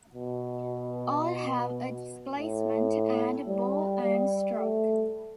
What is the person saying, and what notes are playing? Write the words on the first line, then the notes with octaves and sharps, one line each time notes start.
All have a displacement and bore and stroke.
B2
A2
G3
G3
A3